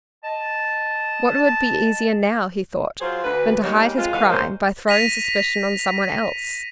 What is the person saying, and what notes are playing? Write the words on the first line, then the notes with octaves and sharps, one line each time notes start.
What would be easier now, he thought, than to hide his crime, by throwing suspicion on some one else?
D#5 A5
F#3 F4 G#4 C5
D2 B4
G3 G#3 A#3 D#4 G4 C#5
F2 G#3 C4 F4
E3 G#3 F#4 A4 B4 F5
F#3 G#3 A#3 A#4 C5 C#5
A#6 B6 D#7 F7